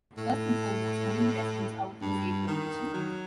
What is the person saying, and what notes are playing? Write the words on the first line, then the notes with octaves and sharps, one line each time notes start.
First and foremost moving the residents out to a safe location.
A2
G2
D#3
F#3